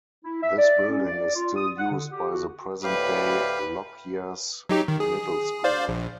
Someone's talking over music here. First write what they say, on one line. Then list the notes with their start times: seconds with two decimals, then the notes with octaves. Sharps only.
This building is still used by the present day Lockyer's Middle School.
0.24 E4
0.43 E5
0.58 D5
0.89 C#4
1.06 D5
1.35 F4
1.57 D#6
1.78 F#5
1.91 D3
2.12 G4
2.32 F#4
2.84 D2 A2 G4 B4 F5
4.69 F#3 D#4 G4
4.88 D#3
5.00 G#4
5.64 C5 D5 F5
5.88 A#1